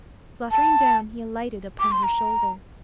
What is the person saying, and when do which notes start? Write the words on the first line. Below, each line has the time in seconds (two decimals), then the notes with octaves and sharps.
Fluttering down he alighted upon her shoulder.
0.51 A5
1.80 D6
1.92 C6
2.04 A#5